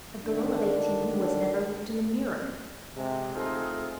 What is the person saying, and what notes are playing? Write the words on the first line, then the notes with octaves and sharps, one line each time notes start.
A girl of eighteen who has never looked in a mirror!
D3 D#3 D4
C3 G#3
A3 C4 D#4 F4 G#4 A4